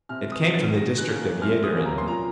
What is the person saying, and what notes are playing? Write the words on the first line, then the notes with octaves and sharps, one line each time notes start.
It came from the district of Jaederen.
C3 F6
D#6
D#3 F#3
A6
D#3 A#6
F#6
A#3 C#4
F#6
C3 F6
D#6
F#3 A#3 C#4
A#5
C6
A#2 A#5